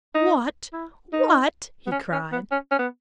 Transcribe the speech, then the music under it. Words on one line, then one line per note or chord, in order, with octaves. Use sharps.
"What! what!" he cried.
D#4
E4
D#4
B3
C#4
C#4
B3
C#4
C#4
B3